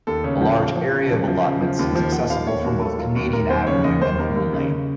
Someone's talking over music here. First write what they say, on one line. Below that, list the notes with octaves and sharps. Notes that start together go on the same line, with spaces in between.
A large area of allotments is accessible from both Canadian Avenue and Hoole Lane.
D#2 A4
C#3 C#5
F3 F#5
F3 F5
F3
C#3
F3
F3
C#3
F3
D#2
F3
F3 F#5
D#2 F5
D#2 C#5
D#2 F#4
D#2 A4
F#3 F4
D#2 F#4
D#2 A#4
D#2 C5
C#3 C#5
D#2 D#5
D#2 C5
D#2 A#4
D#2
C#3
C#3